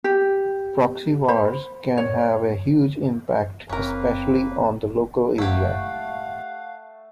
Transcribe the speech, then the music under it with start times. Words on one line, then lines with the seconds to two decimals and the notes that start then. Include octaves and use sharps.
Proxy wars can have a huge impact, especially on the local area.
0.04 G4
1.28 C5 B5
1.98 C#5
3.69 F#1 A#3 C4 C#4 A#4 B4
5.38 A3 E4 G4 F5 F#5